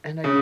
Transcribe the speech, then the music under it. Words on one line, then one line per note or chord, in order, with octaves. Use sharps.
And I
C#3